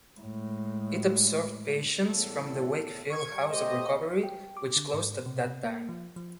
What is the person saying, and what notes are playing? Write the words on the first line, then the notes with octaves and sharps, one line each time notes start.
It absorbed patients from the Wakefield House of Recovery which closed at that time.
A2 G#3
E2 A2 A4
C#6 G#6
G3
A3 G4 C5 D#5
G5
D6
D3
G#2
C3
A#3
F3
F3